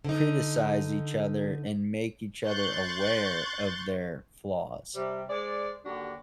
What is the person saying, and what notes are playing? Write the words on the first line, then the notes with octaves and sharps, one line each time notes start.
criticize each other and make each other aware of their flaws.
D3 D#4
C6 C#6 F#6 G6 A6
C3 G3
G#3 C5 D5
D#2 D3 D4 F#4 G4